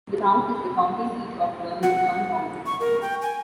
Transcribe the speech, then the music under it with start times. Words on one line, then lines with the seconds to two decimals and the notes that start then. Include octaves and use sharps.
The town is the county seat of Vermillion County.
1.83 F#5
2.66 C#6
2.80 A#4
3.02 G5
3.22 G#5